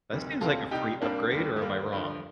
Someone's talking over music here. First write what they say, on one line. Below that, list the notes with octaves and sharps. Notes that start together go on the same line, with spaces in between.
That seems like a free upgrade, or am I wrong?
D2 C3 D#3 G3
D2 C3 D#3 G3 F4 A4
C2 C3 G3 D#4 G4
C2 C3 G3 A#3 D4
D#2 D3 G3
A3
D#2 D3 G3 A#3
G2 D3 F3